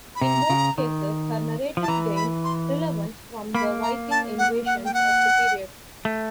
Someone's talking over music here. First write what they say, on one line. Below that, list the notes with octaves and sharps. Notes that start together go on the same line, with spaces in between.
In both cases, her narrative gained relevance from the Viking invasions of the period.
B5
C3 A#5
C#3
D#3
F3
A5
E3 A#5
B5
C6
A#3 B5
A#5
A5
F#5
F#5
G5
F#5
A3